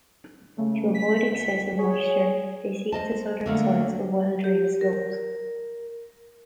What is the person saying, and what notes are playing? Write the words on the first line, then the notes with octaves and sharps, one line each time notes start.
To avoid excessive moisture, they seek the southern side of well drained slopes.
C#3 A3
B6
C#2
G#4 C#5
C5 D5 D#5 A5
D3 A3 A#3
G4
A#4